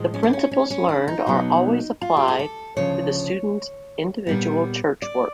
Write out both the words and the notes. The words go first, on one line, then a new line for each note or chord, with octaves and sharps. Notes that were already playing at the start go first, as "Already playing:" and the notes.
The principles learned are always applied to the student's individual church work.
Already playing: A2 F3 G#3
C#4
D4
C#4
C#4
C#4
D4
D#4
B2 F#3 B3
F4
G4
G#4
A4
D2 C#3 F3 C#5
A#2 G3 B3
D5